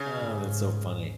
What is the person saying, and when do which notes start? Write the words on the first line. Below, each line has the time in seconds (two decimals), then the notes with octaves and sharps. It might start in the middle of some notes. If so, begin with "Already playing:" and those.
Uh, that's so funny.
Already playing: C#3
0.17 G#2